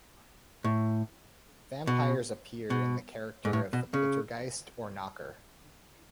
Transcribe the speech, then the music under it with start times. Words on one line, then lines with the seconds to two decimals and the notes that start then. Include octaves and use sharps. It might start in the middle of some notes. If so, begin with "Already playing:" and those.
Vampires appear in the character of the poltergeist or knocker.
0.64 A2
1.87 B2
2.70 B2
3.45 G#2
3.53 A2
3.73 B2
3.94 C#3